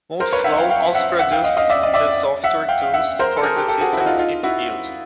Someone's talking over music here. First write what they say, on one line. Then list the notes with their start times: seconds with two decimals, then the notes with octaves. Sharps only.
Multiflow also produced the software tools for the systems it built.
0.20 A#4 C5
0.33 B4 C#5
0.44 E5 F#5
0.57 F5 G5
0.69 F5 G5
0.95 E5 F#5
1.19 E5 F#5
1.32 F5 G5
1.44 D#5 F5
1.57 D#5 F5
1.70 D5 E5
1.83 D#5
1.94 D5 E5
2.44 E5 F#5
2.68 F5 G5
2.83 F5
2.94 E5 F#5
3.19 A#4 C5
3.37 A4
3.43 G#4 A#4
3.56 G4 A4
3.68 G4 A4
3.81 F#4 G#4
3.93 E4
4.00 F#4
4.05 D#4 F4
4.18 D#4 F4
4.43 E4 F#4